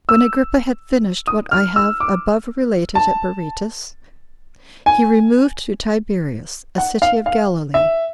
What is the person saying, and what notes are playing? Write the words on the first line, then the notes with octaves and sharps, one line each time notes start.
When Agrippa had finished what I have above related at Berytus, he removed to Tiberias, a city of Galilee.
E6
D#6
F6
E6
D6
A5
G#5
F#5
F5
F5
E5